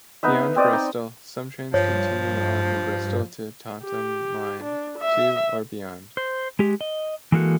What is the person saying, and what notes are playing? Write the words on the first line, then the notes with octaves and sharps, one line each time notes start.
Beyond Bristol, some trains continue on the Bristol to Taunton Line to or beyond.
B3 D#4 B4 E5
C4 D5 D#5
D#4
G2 F3 C#5
G4
D4
E5
C5
G#3 G4
D#5
E3 G#3 A#3 F#4 A4